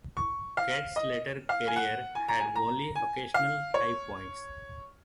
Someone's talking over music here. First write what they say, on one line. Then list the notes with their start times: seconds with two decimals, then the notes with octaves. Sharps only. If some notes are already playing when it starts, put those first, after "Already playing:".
Kert's later career had only occasional high points.
0.17 C#6
0.57 F5
0.96 D#5
1.49 F5
1.67 G#5
1.76 F#5
2.15 G#5
2.28 A#5
2.40 G#5
2.56 A#5
2.95 G#5
3.34 F5
3.74 C#5